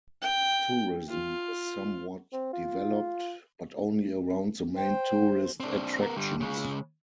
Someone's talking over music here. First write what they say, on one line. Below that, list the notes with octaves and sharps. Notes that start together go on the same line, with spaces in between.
Tourism is somewhat developed, but only around the main tourist attractions.
G5
F4
C4
F4
C5 G5
C4 D4
B3 A#4
D3 G3
C#3 G#3